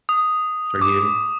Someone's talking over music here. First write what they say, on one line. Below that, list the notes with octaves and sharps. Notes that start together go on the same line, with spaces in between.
for you.
D#6
D6